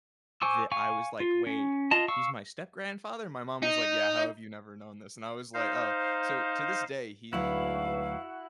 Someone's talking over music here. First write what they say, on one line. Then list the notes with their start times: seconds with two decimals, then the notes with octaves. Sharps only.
that I was like, "Wait, he's my step-grandfather?" My mom was like, "Yeah, how have you never known this?" And I was like, "Oh," so to this day, he
0.42 C5 G#5 C#6 D6 E6
0.72 F5 G#5 C#6
1.20 F4
1.47 C#4
1.91 F4 D#5 A5
2.08 F5 C#6 E6
3.63 D#4
5.54 D#4 C5 F5
7.33 D2 G#2 F#3 D4 E4 F#4 B4 F5